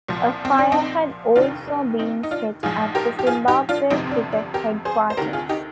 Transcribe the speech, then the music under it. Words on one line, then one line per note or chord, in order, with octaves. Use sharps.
A fire had also been set at the Zimbabwe Cricket headquarters.
C2 A#2 F3
C4
D4
C4 D#4
F1 D#2 D#3 D4 F4
D4
C4 D#4
D#4
D4 F4
A#1 G#2 F3 F4 G#4
G4 A#4
G4
F4 G#4
D#4 G4
D4 F4
G1 F2 C3 F3 C4 D#4
C4
D4
D4
G4 A#4
G#4 C5
C5
D2 C3 D#3 G4 A#4
F4 G#4
D#4 G4